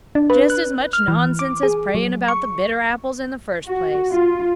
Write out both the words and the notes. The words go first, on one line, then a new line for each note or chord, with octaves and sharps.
"Just as much nonsense as praying about the bitter apples in the first place."
D4
B4
F#6
F6
E3
D6
G#4
F#3
C#6
F#4
F4